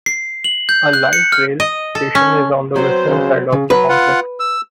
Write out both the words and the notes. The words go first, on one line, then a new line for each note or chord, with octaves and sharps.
A light rail station is on the western side of the complex.
C7
F#7
G6
F#6
C#7
F6
D#5
A4
C#4
F#3 B3 C4 C5
C#3
C#3
F#3 B4
F4 F#5
E6